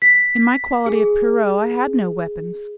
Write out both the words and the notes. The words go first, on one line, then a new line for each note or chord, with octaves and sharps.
In my quality of Pierrot I had no weapons.
B6
G#4